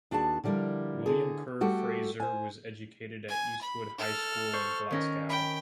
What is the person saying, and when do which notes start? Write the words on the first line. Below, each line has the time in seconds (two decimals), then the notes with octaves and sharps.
William Kerr Fraser was educated at Eastwood High School in Glasgow.
0.11 D#2 D4 F#4 G#4 G#5 A5
0.44 D3 F3 G3 E4 A#4
1.06 D3 G#4
1.61 G3 A3 F#4 G4 A4
2.20 C5 G#5
3.29 G#5
3.61 B5
3.98 A4 F6
4.53 C5 C6 C#6
4.91 D#3 C#4 A#4
5.29 G5 B5